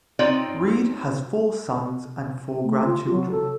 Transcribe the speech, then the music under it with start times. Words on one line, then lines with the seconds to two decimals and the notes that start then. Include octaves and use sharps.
Reid has four sons and four grandchildren.
0.19 C4 D#4 F4 C#5 D5 G5
2.64 A3
2.85 F4
3.11 F#3
3.31 A4